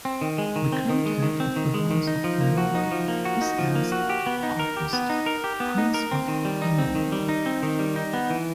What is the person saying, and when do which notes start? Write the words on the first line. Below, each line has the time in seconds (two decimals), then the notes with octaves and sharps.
The current head of the House of Hanover is Ernst August, Prince of Hanover.
0.05 C4
0.21 D#3
0.38 G#3
0.56 D#3
0.72 C4
0.89 D#3
1.06 G#3
1.23 D#3
1.40 C4
1.56 D#3
1.74 G#3
1.91 D#3
2.07 D#4
2.24 F3
2.41 A#3
2.57 F#4
2.75 D#4
2.92 F3
3.08 A#3
3.25 F#4
3.41 D#4
3.59 F3
3.75 A#3
3.92 F#4
4.10 G4
4.26 B3
4.43 D#4
4.59 A#4
4.77 G4
4.93 B3
5.10 D#4
5.26 A#4
5.44 G4
5.60 B3
5.78 D#4
5.94 A#4
6.11 C4
6.28 D#3
6.45 G3
6.62 D#4
6.78 C4
6.95 D#3
7.12 G3
7.29 D#4
7.46 C4
7.63 D#3
7.79 G3
7.96 D#4
8.14 B3
8.30 E3